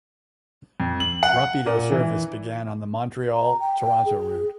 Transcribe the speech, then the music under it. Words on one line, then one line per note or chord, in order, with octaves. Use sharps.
"Rapido" service began on the Montreal-Toronto route.
F2
F#7
F#5
A#2
E3
A#5
G5
G5
G#4